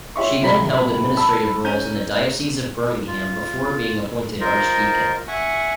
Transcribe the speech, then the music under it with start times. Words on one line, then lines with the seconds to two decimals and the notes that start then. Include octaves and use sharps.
She then held administrative roles in the Diocese of Birmingham before being appointed archdeacon.
0.16 F4 G4 C#5 E5 C6 C#6
0.42 D1 C3 A#5 B5 B6
1.17 A5 B5 E6
1.64 C#4 A#5 G6 D#7 F7
3.07 F4
4.41 F4 A#4 C5 D#5
5.28 E5 F#5 G#5 C#6